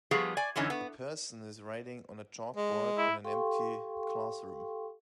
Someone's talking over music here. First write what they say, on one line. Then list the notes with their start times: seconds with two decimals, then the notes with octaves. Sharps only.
A person is writing on a chalkboard in a empty classroom.
0.11 F3 G3 B3 G#4
0.37 D5 G#5
0.56 F#2 D3 E3 C#4 D#4
0.70 B3
2.57 G#3
2.98 E4
3.24 G4 A4 F5 G5 C6 C#6